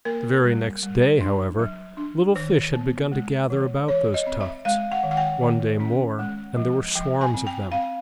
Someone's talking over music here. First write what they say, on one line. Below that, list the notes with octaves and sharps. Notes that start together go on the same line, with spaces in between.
The very next day, however, little fish had begun to gather about those tufts; one day more, and there were swarms of them.
A#3 A#4
G3
G3
D4
F#3
D4
D#3 C5
B3
G#3
E3
E3 C#5
D#5
C4
E5
G#3 F5
F#5
D#3
F#5
G5
D#3
C#4
G#3
F3
F3 G5
G#5
C4
G5
C4 F5